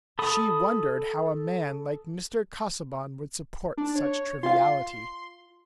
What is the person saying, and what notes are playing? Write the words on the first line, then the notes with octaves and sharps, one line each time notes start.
She wondered how a man like Mr. Casaubon would support such triviality.
A4 B5 D#6
D4
C#5
F4 F5 C6